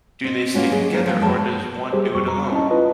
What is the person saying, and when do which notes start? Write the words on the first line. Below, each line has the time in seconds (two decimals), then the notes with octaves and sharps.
Do they stick together or does one do it alone?
0.24 C4 D#5
0.54 A#3 B3 C#4 F4 F#4
0.72 F#3 G4 G#4 D#5
0.91 F#3 A#3
1.06 F3 A#3 G5
1.20 F#2 G#3 A5
1.93 G3 G4 G#4 C5
2.15 F2 G3 C#6
2.28 A#5
2.52 C#4 E4 D#5 A5
2.71 F4 B4 D#5